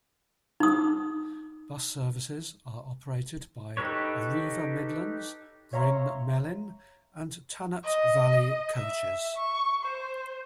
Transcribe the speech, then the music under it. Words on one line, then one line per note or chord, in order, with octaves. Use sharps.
Bus services are operated by Arriva Midlands, Bryn Melyn and Tanat Valley Coaches.
D#4 D#6
D#4 G4 A4 B4 C#5
C#5 E5 F5 A#5 C6 C#6
D#5
E5
C#6
C5